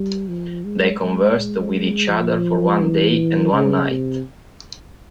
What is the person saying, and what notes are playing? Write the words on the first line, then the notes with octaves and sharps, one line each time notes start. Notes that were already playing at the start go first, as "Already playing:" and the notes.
They conversed with each other for one day and one night.
Already playing: G3
F3
G#3
G#3
F3
E3
C#3
C3